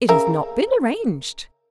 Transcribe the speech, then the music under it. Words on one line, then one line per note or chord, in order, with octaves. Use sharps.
"It has not been arranged."
C#3 A#4 E5